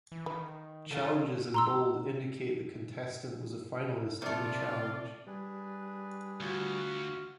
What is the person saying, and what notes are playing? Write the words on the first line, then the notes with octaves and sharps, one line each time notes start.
Challenges in bold indicate the contestant was a finalist on the Challenge.
E3
D#3 B4
A#2 C#3 G#3 F4 A4
A#5 C6 E6
C3 A3 F4 D5
G3 D4 G#4 B4
D2 F4 F#4
F6